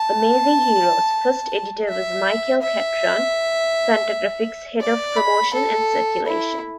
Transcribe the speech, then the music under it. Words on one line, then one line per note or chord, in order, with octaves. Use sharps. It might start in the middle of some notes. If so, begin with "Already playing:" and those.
"Amazing Heroes"' first editor was Michael Catron, Fantagraphics' head of promotion and circulation.
Already playing: A5
E5
E5
D5
B5
A4
E4